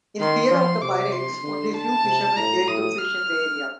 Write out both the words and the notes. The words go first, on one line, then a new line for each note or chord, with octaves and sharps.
In fear of the pirates, only few fishermen dared to fish in the area.
D#3 C6
F3
C3 D6
C6
D3
A5
C3
A2 A#5
A2 D#6
F6